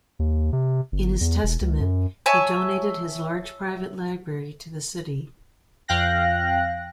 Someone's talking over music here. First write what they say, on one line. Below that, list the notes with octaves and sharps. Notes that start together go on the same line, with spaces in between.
In his testament, he donated his large private library to the city.
D#2
C3
G1
E2
E1
C#2
F#2
C#5 E5 G#5 A5
F2 F5 G5 F#6 A#6